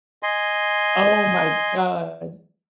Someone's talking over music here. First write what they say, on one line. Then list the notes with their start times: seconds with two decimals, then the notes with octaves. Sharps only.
Oh my God.
0.23 D#5 G#5 C6